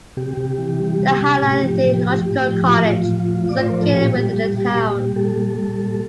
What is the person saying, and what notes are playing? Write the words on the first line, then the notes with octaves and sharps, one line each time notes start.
The Highland Theological College is located within the town.
C3 G4
C3
E3
G3
C3
C3
A2 G4
F3
F3
A2
A2
F3
A2 F4
F3
F3
A2
A2 D5
C5
F3 A#4
A4
A#2 G4
G3
G3
A#2
A#2
G3
A#2 A4
G3
G3
A#2